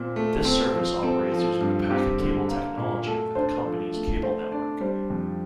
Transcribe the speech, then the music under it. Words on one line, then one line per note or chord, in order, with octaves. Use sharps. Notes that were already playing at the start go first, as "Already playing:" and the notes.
This service operates using the PacketCable technology over the company's cable network.
Already playing: A#2 C4
A3
C4
F3
C4 A4
F3 A4
G2
C4 G4
D3
A#3
A#2
A3 A4
D4 C5
F3 A4
A3
A3 C5
D4 D5
G3 C5
F2